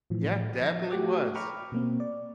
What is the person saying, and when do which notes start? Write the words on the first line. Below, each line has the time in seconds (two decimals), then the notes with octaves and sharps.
Yeah, it definitely was.
0.10 A2 E3 F3
0.61 F3 A#6
0.91 A3 F#4 G4 G5 D6 F#6
1.35 G5 A#5 B5 C#6 D6 F6
1.72 B2 A#3 C4
2.00 D5